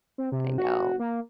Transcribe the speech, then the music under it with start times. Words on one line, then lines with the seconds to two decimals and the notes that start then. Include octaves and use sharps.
I know.
0.18 C4
0.32 C3
0.58 F#4
1.00 A#3